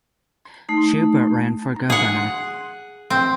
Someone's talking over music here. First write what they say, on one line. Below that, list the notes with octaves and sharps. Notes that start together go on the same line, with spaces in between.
Shubert ran for Governor.
A3 D#4
G#4 F#5
C4